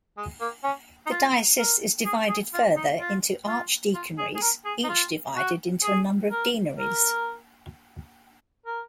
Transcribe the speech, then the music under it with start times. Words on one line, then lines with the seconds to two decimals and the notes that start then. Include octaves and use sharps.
The diocese is divided further into archdeaconries, each divided into a number of deaneries.
0.17 G#3
0.41 A#3
0.64 C#4
1.06 D#4
1.11 F4
1.59 A#4
2.06 G#4
2.29 G#4
2.54 F4
2.76 D#4
3.00 F4
3.47 F4
3.95 F4
4.18 G#4
4.35 G#4
4.42 A#4
4.65 G#4
4.84 D#4
4.89 F4
5.36 F#4
5.83 G#4
6.31 A#4
6.78 A#4
8.66 A#4